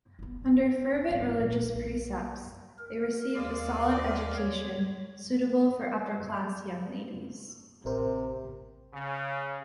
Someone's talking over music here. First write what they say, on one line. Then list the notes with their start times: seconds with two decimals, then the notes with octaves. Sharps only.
Under fervent religious precepts, they received a solid education, suitable for upper-class young ladies.
0.19 G1 B3
0.42 A3
0.93 E2
1.11 G#1
1.39 A#1 B2
1.63 B1
2.79 A#4
3.36 D#2 G#3 A#4 D5 F5
4.37 C#5
7.85 A1 C3 A#4 C5
8.92 C#3